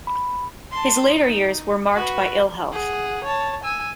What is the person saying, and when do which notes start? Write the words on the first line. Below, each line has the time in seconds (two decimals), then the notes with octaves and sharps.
His later years were marked by ill health.
0.07 B5
0.71 A5 C6
1.08 D#4
1.95 F#4 B4
2.72 G#4 F#5
3.24 C#5 A5
3.64 G#5 E6